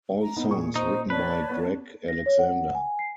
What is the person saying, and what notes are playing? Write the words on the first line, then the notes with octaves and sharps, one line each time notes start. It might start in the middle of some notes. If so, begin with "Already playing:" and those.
All songs written by Gregg Alexander.
A#5
B3 D#4
A#2 G#4 C#6
D#4 C5
B4 C#5 D5 A5
B3
A#6
C#5
F#5
G#5
C7